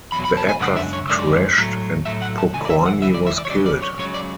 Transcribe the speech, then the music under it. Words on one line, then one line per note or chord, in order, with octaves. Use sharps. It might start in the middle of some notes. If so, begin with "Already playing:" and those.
The aircraft crashed, and Pokorni was killed.
E2 B2 F#3 B5
B5
A5
G#5
F#2 C#3 G#3 D4 F#5
E5
C#5
F#2 C#3 G#3 D4 D5
A2 F#3 A3
A2 F#3 A3 E5
F#5
A5
C#2 C#3 E3 G#5
D5
E5
F#5
C#2 C#3 E3 E5
D5
E5
D5
C#5
C#2 C#3 F#3 D5
D5
C#5
C#2 C#3 F#3 C#5
D5